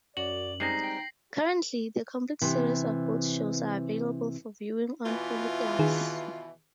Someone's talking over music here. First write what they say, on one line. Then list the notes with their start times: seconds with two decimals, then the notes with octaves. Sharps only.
Currently, the Complete Series of both shows are available for viewing on Hulu Plus.
0.17 F#2 F#4 D5 F#7
0.60 G3 G#3 C4 D#4 A#6 C7
0.83 G5
2.41 C3 E3
5.05 B2 E3 F4
5.79 D#3 G#4